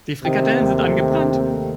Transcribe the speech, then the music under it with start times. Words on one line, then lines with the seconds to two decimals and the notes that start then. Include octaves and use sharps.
Die Frikadellen sind angebrannt.
0.24 C3 D#3
0.43 C4
0.61 D#2
0.79 A3
0.97 D#3
1.15 C4
1.33 D#2
1.52 A3